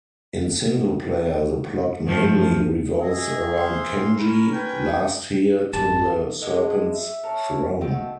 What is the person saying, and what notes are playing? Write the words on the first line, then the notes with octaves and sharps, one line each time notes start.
In single-player, the plot mainly revolves around Kenji, last heir to the Serpent's Throne.
G2 F3 A3
G#4 D#5 E5
C5 F5 C6
C#4 A#4 B5
B4 G5 G#5
G#1 F#2 G4 A5
D3 G#3 G#4
E5
A4 A#4 C#5
D#3 A3 C4 F#4